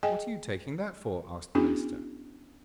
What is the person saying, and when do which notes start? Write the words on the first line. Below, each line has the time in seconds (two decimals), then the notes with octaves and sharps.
'What are you taking that for?' asked the minister.
0.03 G#4 D#5 G5 G#5
1.55 B3 C#4 D4 E4 F#4 G#4